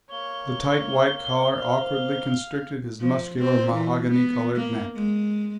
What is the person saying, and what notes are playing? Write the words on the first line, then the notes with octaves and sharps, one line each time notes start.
The tight white collar awkwardly constricted his muscular, mahogany-colored neck.
A#3 C#5 G7
C5 F5
F3
C4
E3
B3
A#3
G#3